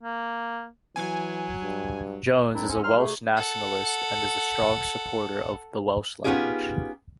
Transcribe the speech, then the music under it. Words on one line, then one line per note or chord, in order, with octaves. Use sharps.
Jones is a Welsh nationalist and is a strong supporter of the Welsh language.
A#3
E3 F#3 G#5
G2
D#3 F#3 C4 D4 E4
C4 C#4
D#2 F#3 G3 C6 F6
D2 C3 A3 G#4
A4 F#5
B3 C#4 D#4 F4 G4 G#4